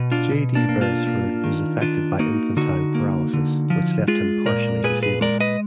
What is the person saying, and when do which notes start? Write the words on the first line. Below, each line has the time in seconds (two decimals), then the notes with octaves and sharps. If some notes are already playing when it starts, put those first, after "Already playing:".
J. D. Beresford was affected by infantile paralysis, which left him partially disabled.
Already playing: B2
0.12 D4 F4
0.31 B2
0.55 A#3 D4
0.69 A#3
0.81 D4 F4
1.07 A#3
1.44 D#3
1.82 D#3 D4 F4
2.19 A#3 D#4 F#4
2.57 D3 D#4 F#4
2.95 A#3
3.33 D3
3.70 F3
4.08 G#3 F4 G#4
4.46 A#2 A#4 D5
4.84 A#2 G#4 B4
5.03 G#4 B4
5.21 G#3 A#4 D5
5.40 B4 D#5